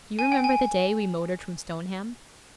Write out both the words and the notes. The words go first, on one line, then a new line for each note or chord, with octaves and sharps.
'Do you remember the day we motored from Stoneham?
G#5
G5
G#5